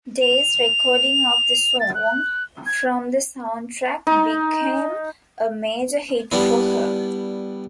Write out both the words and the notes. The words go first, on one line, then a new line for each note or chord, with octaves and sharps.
Day's recording of the song, from the soundtrack, became a major hit for her.
F7
A6
F#6
G#6
D#4
G3 B3 D4 E4